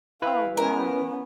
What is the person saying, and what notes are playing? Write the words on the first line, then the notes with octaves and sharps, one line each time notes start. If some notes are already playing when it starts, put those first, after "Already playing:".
Oh, wow.
E4 B4 F5
B3 C#4 A#4